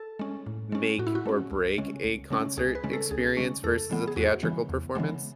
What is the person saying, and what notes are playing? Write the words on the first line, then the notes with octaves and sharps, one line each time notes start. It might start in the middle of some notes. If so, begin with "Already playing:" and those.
make or break a concert experience versus a theatrical performance?
Already playing: A4
G#3 C#4
A2
G#3 C#4
A2 F#4
E4
F#4
G#3 C#4
C#2
C#3 G#3 C#4
C#2
C#3 G#3 C#4
C#2 G#4
B4
C#3 G#3 C#4
A4
C#2 G#4
C#3 G#3 C#4
E2 A4
C#3 E3 G#3 B3
G#4
E2 F#4
C#3 E3 G#3 B3
E2
C#3 E3 G#3 B3